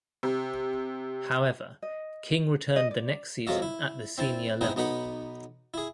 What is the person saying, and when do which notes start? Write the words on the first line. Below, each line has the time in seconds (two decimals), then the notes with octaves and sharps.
However, King returned the next season at the senior level.
0.23 C3
1.82 D#5
2.76 D#5
2.91 D5
3.47 F2 F#3 G#3 F4 F#4 E5
3.62 E4
4.18 C4 E4 A5
4.61 G#3 B3 C4 D#4 E4
4.76 B1 B3 D#4 B4 F#5 B5
5.74 E4 G#4